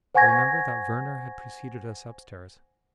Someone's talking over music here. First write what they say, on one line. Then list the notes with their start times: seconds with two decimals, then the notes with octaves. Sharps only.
I remembered that Werner had preceded us upstairs.
0.15 C5 F#5 G#5 C#6 G#6 A#6